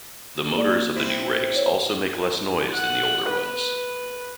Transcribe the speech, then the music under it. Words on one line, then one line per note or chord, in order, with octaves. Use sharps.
The motors of the new rakes also make less noise than the older ones.
A#3 D5
C4 E4
C#5
F#5
B4